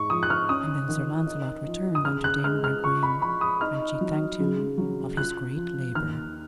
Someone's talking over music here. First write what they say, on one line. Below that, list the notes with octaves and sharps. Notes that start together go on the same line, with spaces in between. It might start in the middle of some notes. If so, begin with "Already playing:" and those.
And then Sir Launcelot returned unto Dame Bragwaine, and she thanked him of his great labour.
Already playing: G#2 C#6
F3 D#6
F#6
F6
C#4 D#6
D#3
D#4
F3
D#6
C#3 F6
F#6
G#3 F6
F6
F4 C#6
B5
F3 B5
D#6
D#4 F6
F#3
C#3
F#3
F4 F#6
F3
D#2 F6